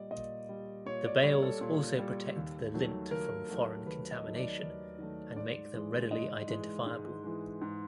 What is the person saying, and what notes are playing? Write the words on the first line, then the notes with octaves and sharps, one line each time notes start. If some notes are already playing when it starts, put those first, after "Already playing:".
The bales also protect the lint from foreign contamination and make them readily identifiable.
Already playing: A#2 G3 D5 D#5
A#2 D#5
G3
A#2 C#5
D5
G3 C#5
A4
A#2
G3
D#2
D#3 F#3 A3
D#2 A#4
D#3 F#3 A3
D#2 B4
D#5
D#3 F#3 A3
D5
D#2
D#3 F#3 A3
G#2 D5
E3 G#3
G#2 D#5
E3 G#3
G#2
E3 G#3
G#2